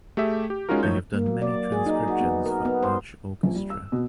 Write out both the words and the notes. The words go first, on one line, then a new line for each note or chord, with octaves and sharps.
They have done many transcriptions for Arch Orchestra.
A3 G4 G#4 E5
G4
G#3 C#4 D#4 F4 F#4 A#4
A2 F3 A3 D#4 C#5 G6
A#3
F#3
D5
G#4
D#4
F#4
B3
A#4
B3
C5
A#1
G3
E6
B2